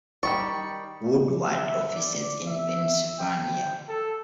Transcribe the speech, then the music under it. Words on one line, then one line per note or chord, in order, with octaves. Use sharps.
Woodward offices in Pennsylvania.
D#3 G3 D5 C#6
E5
D5
E5
G5
A4